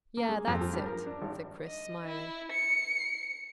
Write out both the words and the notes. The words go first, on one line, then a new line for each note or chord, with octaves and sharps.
"Yea, that's it," said Chris, smiling.
A#3
G#3
F2
F3
G2
A#4
D4
G#1
D#5
E4
C#7